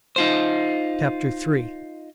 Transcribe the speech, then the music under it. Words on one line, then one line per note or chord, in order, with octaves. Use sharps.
Chapter III.
D#4 F4 C5